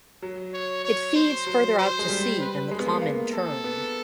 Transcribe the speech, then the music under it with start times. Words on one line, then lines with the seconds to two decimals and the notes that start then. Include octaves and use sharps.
It feeds further out to sea than the common tern.
0.22 F#3
0.54 C#5
0.85 C#5
1.15 C5
1.47 F#3
1.78 C5
1.99 G#3
2.09 G3
2.40 B4
2.71 G#3
2.80 B3
2.86 A#3
3.02 A#3
3.33 A4
3.64 B3